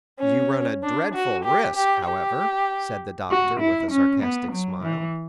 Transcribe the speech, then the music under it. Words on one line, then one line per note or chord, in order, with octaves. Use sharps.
"You run a dreadful risk, however," said the Doctor, with a sarcastic smile.
C#4
D4
F#4
G4
G4
G4
F#4
E4
C#4
B3
F#3
E3